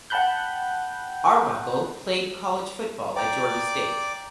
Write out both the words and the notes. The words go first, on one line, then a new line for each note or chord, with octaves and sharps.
Arbuckle played college football at Georgia State.
F#5 G5 A5 B5 F#6 G6
D5 G5 A#5 D6 G6